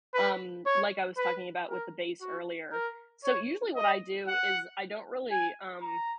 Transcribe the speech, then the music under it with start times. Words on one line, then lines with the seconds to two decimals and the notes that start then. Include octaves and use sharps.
um, like, I was talking about with the bass earlier. So usually what I do is I don't really, um
0.14 B4
0.66 C#5
1.17 B4
1.70 A#4
2.21 F#4
2.72 A#4
3.24 C#5
3.76 D#5
4.27 F#5
5.31 G#5
5.82 A#5